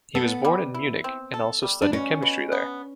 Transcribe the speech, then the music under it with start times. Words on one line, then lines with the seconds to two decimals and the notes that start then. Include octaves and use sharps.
He was born in Munich and also studied chemistry there.
0.15 B3 A4
0.45 G3
0.74 E4
1.04 C4
1.34 A4
1.63 G3
1.82 D4
1.93 B2 C#4
2.22 B2
2.52 B3